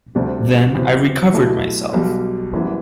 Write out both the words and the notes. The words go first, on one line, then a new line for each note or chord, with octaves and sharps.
Then I recovered myself.
D2 C3 G3 D4 G4
E2 C3 F#3
B1 B2 A3 E4 G4
B1 B2 G3
F#1 F#2 E3 G3 B3